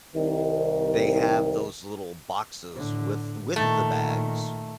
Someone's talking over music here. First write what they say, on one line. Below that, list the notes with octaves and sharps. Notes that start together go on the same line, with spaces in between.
they have those little boxes with with the bags
C2 D#3
A2 D3
A#2 D#3 A3